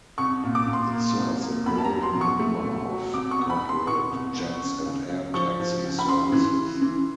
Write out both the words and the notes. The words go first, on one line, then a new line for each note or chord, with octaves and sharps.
It serves a growing number of corporate jets and air taxi services.
C2 C#6
A#2
D6
A#2
C6
A#3
C2
A#3
E2 B5
A5
A#5
F#3
C6
B2
C#6
A3
B2
F#3
C2 D6
C#6
B3
B5
B3
C6
B2 C#6
C2
B3
C#3
C#2
C#2
F3 C#6
F3
C#2
B5
C#3 C6
E3
C#3
E3